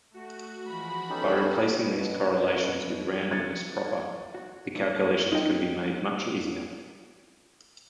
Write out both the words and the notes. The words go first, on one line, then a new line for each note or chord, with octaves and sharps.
By replacing these correlations with randomness proper, the calculations can be made much easier.
A3 F#4
E3 F3 G#3 B5
B3 C#4 D#4 G4 A4
G2 B2
G#6 A6 C#7
F#4
G#2 F#3 A#3 E4 F#4 D5
A#3 D4 F4 A4 B4 A5
D#4 F4 C#5 D#5 G5